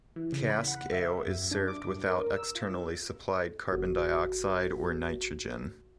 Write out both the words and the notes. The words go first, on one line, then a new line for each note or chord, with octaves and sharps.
Cask ale is served without externally supplied carbon dioxide or nitrogen.
E3
C#3
B5
F#5
E5
F#2
D4
D6
G2
A#4
E6
F4
G1 F#4